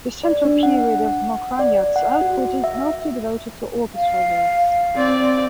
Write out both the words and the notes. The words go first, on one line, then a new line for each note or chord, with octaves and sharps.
The central period of Mokranjac's output is mostly devoted to orchestral works.
D5
D4
F#5
D5
F#5
F#4
E5
F5
C4 D5